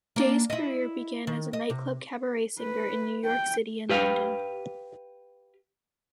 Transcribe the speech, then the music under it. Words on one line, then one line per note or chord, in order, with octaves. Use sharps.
Day's career began as a nightclub cabaret singer in New York City and London.
A#3 D4
E4 D#5
D#3
D#5
C3
B4
G5
G4 B4 F5